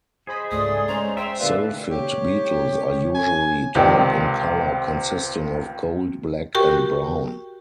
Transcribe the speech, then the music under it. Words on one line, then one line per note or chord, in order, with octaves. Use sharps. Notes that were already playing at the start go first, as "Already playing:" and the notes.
Silphid beetles are usually dark in color consisting of gold, black and brown.
G#4 C5 D#5 B5
C#2 G#2 A3 D5 C6 D#6
G#3 C#4 C5 A#5
C5 E5 G5 C6
A#2 D3 G4 B4 D5 F5
G4 C#5
G#5
C#2 C3 D#3 C4 G4 D5
F#4 G4 A#4 G5 C#6